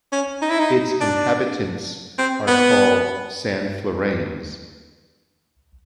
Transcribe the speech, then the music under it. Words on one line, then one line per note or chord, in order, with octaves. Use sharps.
Its inhabitants are called "Sanflorains".
C#4
D#4
E4
D#4
D4
C4
B3